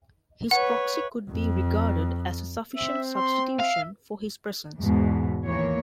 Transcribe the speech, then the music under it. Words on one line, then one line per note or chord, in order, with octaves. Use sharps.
His proxy could be regarded as a sufficient substitution for his presence.
B4 C#5 F#5
F2
C4 E5
C6
E5 F5
E2 G#2 B2
D#2 E3 A#3 C#5